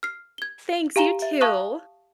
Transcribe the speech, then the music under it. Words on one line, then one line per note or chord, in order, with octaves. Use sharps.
Thanks. You, too.
F6 C7
G#6 G7
G4 F5 G#5 A#5 E7 G7
E5
F5 A5 C#6 D#6 F#6